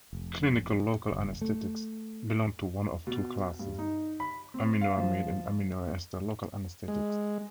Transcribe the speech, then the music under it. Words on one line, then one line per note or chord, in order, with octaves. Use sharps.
Clinical local anesthetics belong to one of two classes: aminoamide and aminoester local anesthetics.
F1
F#1
A3
B2
G2
D#4
B5
C4
F5
F3
G#3